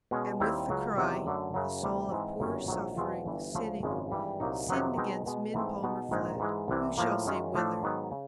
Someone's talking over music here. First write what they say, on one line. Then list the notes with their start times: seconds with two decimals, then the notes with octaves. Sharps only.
And with the cry, the soul of poor suffering, sinning, sinned-against Min Palmer fled--who shall say whither?
0.11 B2 G#3 C#4
0.40 D#2 D#3 G3 C4 E4
0.69 C#2 C#3 F#3
0.97 E2 C3 D#3 F#3
1.26 F#2 D3 F#3 A3
1.54 F#2 C#3 F#3
1.83 D2 C3 E3 G3
2.11 G#2 E3 G#3 C4
2.40 G1 F#2 D#3 G#3 C#4
2.68 A#1 G#2 D#3 F#3
2.97 E2 B2 G#3 C4 F4
3.26 G1 G2 E3
3.55 D2 C#3 F3 A3
3.83 G#1 F#2 C#3 F3 G#3
4.12 G#1 G2 E3 G3
4.40 C2 A#2 F#3 A#3 D#4
4.68 F2 C3 D#3 F#3 B3
4.97 B2 G#3 C4 D#4
5.26 B2 G#3 B3
5.54 G#2 E3 A3 C4
5.83 B2 G#3 B3 D#4
6.11 A#1 G#2 D#3 G#3
6.40 G#2 E3 G#3
6.68 C2 C3 E3
6.97 A2 F3 A#3
7.26 F#2 D#3 G#3 C#4 F4
7.55 A2 F3 A3 D4
7.83 G#2 D#3 F#3 B3
8.11 C#3